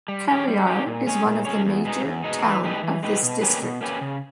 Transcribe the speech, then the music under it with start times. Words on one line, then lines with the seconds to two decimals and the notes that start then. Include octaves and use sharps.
Khariar is one of the major town of this district.
0.08 G3
0.28 C#4 G4
0.48 G3
0.66 C#4 G4
0.86 A#2
1.06 G#3 C#4 G#4 C#5
1.26 A#2
1.45 G#3 C#4 G#4 C#5
1.66 E2
1.85 B2 G#3 D#4
2.05 E2
2.24 B2 G#3 D#4
2.43 E3
2.64 G#3 D#4 G4 B4
2.83 E3
3.03 G#3 D#4 G4 B4
3.22 B2
3.41 A#3 C#4 G4 B4
3.62 B2
3.81 A#3 C#4 G4 B4
4.01 C#3